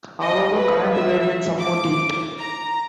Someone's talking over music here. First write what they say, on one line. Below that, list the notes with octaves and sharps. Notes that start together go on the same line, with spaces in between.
However, current variants support it.
D#5
B4
E5
D6
A#5